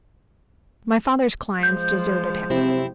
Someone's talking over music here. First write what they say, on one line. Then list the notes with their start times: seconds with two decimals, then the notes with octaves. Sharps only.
My father's clients deserted him.
1.63 F3 G#3 G6
2.50 F#2 C3 C4 E4